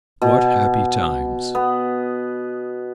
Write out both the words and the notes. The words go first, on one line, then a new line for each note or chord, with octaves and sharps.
What happy times!
B2
B3